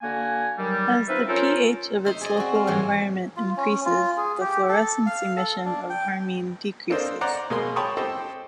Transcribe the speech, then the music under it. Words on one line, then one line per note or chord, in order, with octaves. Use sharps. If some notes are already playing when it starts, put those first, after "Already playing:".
As the pH of its local environment increases, the fluorescence emission of harmine decreases.
D3 A#3 F#4 G#5
D#3 F#3 G3
C4 D#4 F4 B4 E5
C#4 F4 A4 A#4 C5
D#4 C5 E5
G#4 D5 D#5
C4 F#4
F5
G#2 E3 F#3 A#3
F4
C#4
F4
G#4
G4
A4
F5
A4
D4
G5
A#3 D4 A4 C5 D#5
C5 D5 F#5 A#5
B2 G#3 A#3 B5 C6
C#5 G5 A5 B5 C#6 D#6
G4 A4 C5 D#5 G5